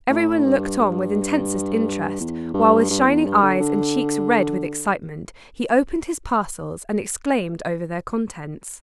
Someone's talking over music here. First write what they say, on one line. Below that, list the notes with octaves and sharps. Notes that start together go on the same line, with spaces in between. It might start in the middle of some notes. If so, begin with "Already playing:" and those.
Every one looked on with intensest interest while, with shining eyes, and cheeks red with excitement, he opened his parcels, and exclaimed over their contents.
A2
G2
G2
E2
G2
G2
E2
G2
D3
D3